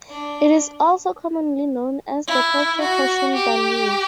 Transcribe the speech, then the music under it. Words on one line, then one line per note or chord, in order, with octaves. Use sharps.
It is also commonly known as the purple passion danio.
D4
E4
F#4
G4